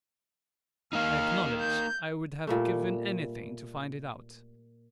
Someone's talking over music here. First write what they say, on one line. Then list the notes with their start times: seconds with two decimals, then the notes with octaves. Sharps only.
"I acknowledge I would have given anything to find it out."
0.93 A#3 D#4 F5
1.61 G6
2.47 A#2 G3 A3